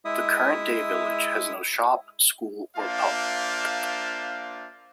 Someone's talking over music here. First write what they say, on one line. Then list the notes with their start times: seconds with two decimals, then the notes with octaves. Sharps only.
The current-day village has no shop, school, or pub.
0.05 G#3 E4 E5 D#6
2.76 A#3 D4 F4 C5 E5 F5